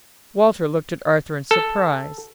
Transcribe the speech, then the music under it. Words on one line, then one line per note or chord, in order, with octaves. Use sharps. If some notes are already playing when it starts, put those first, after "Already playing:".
Walter looked at Arthur in surprise.
A4